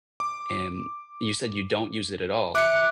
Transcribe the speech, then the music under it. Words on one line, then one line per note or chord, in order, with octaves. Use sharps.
And you said you don't use it at all.
D6
E5 D6 F#6 C#7